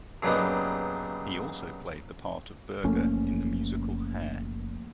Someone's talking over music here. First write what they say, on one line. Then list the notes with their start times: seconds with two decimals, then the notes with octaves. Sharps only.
He also played the part of Berger in the musical "Hair".
0.22 G2 C#3 F#3 A#3 B3 D#4
2.84 F#1 F3 A3 A#3 C#4